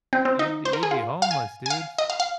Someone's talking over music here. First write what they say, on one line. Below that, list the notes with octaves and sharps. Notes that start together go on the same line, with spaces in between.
You'd be you'd be homeless, dude.
C4
C4
D#4
C5
A#4
G#4
F4
F5
G#5
G#5
F5
D#5
F5
F5